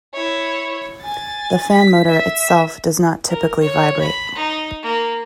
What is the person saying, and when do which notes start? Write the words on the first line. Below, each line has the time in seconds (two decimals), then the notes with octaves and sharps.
The fan motor itself does not typically vibrate.
0.14 E4 C#5
1.03 G#5 A6
1.73 B6
2.09 E5
3.30 A#4
3.61 C#5
4.01 B5
4.35 D#4
4.83 A#3